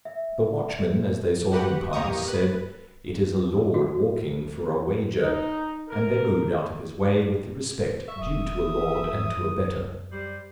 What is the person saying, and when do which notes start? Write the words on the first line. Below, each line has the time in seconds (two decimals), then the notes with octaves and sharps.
The watchmen, as they saw him pass, said, "It is a lord walking for a wager," and they moved out of his way with the respect due to a lord and to a better.
0.05 E5
1.52 F#4 G4 B4 F#5
1.93 E2 A#3 G4 A#5 C#6 D#6
2.28 B4
3.74 F#4
5.22 D#4
5.88 A#4
8.08 E5 C#6
8.21 E1 D#6
9.13 G#2
9.37 F#2
10.12 G3 C5